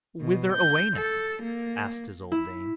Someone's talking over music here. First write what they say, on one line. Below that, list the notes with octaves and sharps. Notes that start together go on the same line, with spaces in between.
'Whither away, now?' asked his old dame.
B2
G6
A4
A#3
E4